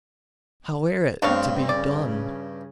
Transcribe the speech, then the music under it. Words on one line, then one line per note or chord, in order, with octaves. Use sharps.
How air it to be done?
G2 A3 C4 D4 C#5 F5
C#3 C#4 D5